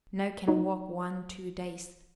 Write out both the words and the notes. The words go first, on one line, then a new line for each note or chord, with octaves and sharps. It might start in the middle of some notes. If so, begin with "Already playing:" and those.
No can walk one, two days.
F#3 D#4 F#4